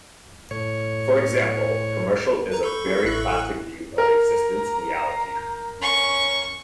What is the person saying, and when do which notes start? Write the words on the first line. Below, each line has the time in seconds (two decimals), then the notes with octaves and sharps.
For example, a commercial is a very plastic view of existence and reality.
0.51 A2 C#5
2.52 B4 A#5
2.63 A4 B5 C#6 G6
2.86 C#4 F4 G4
3.04 A1 E4 F#6
3.98 A#4 A#5
5.82 C#4 C#6